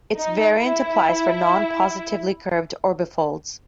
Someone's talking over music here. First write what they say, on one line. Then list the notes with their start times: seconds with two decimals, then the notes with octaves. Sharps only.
Its variant applies for non-positively curved orbifolds.
0.16 D#4
0.59 E4